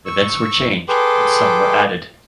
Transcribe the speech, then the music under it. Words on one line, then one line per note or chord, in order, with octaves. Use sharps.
Events were changed and some were added.
C#6 E6
G#4 A4 B4 G5 C6 D6